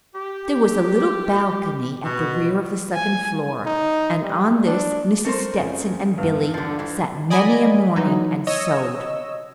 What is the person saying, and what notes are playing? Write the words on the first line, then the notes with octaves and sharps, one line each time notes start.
There was a little balcony at the rear of the second floor, and on this Mrs. Stetson and Billy sat many a morning and sewed.
G4
B2
G#5
D#4
G3
D4
A3 A#4 C5
F2 C#4
E2 G2
D3 F3
E3 F3
D5 D#5 G#5 B5
E3 F#3 D#4
C#5 D#5 E6